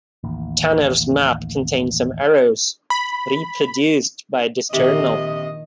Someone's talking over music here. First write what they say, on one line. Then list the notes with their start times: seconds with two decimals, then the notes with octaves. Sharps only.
Tanner's map contained some errors, reproduced by Disturnell.
0.24 A1 D#2
2.90 B5
4.73 A#1 C3 D#3 D#5